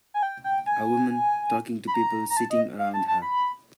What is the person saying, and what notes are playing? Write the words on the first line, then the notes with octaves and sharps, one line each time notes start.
A woman talking to people sitting around her.
G#5
G5
G5
G#5
B5
A#5
A#5
A5
D#5
F5
A5
A5
B5